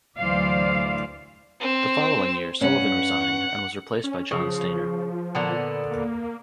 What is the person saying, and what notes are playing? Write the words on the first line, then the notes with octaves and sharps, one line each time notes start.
The following year Sullivan resigned, and was replaced by John Stainer.
D2 E3 F#3 C5 D5 F5
C4 E6
G2 C#4 F#5
C#4
C#3 F3
A#2 D3 B3
A#3